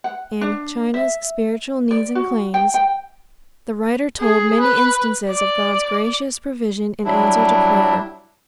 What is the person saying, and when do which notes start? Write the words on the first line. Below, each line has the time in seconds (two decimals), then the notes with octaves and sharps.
In "China's Spiritual Needs and Claims" the writer told many instances of God's gracious provision in answer to prayer.
0.04 F#5
0.41 D4
0.94 E5
1.91 D5
2.15 F#4
2.54 G5
2.74 G5
4.20 G#4
4.60 B4
5.29 D5
7.05 F#3 G3 D4 E4